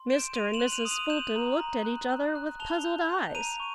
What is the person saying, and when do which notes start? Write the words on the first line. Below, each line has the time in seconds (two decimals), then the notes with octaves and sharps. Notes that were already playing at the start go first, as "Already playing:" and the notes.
Mr. and Mrs. Fulton looked at each other with puzzled eyes.
Already playing: C6
0.10 G6 D7 E7
0.35 C6 D#7 F7
0.54 E7 F#7
0.60 F#6
0.72 D#7 F7
0.85 D#6
0.91 D#7 F7
1.10 G6 E7 F#7
1.36 A#5
1.60 A#5
1.85 F#6
2.10 F#6
2.35 F#6
2.60 A5 F7 G7
2.85 G6
3.09 G6
3.35 A#5 D#7 F7
3.60 C#6